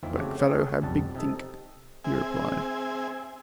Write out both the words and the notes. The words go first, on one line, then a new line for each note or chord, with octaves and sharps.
"Black fellow hab big tink," he replied.
F2 D#3 E3 A#3 C4
C#3 A3 C4 F#4 G4
A3 G#4 A4 C#5
B1 F2 G3 F#5 A5
C3 D#4 A4
C4 G#4 E5 G#5